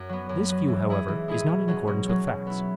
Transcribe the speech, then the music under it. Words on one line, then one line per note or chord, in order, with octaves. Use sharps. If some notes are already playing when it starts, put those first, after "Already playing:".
This view, however, is not in accordance with facts.
Already playing: F#2
F#3 B3
F#2
F#3 B3
E3
G#3 E4 G#4
E3
G#3 E4 G#4
B2
F#3 C#4
B2
F#3 C#4
B2
B3 E4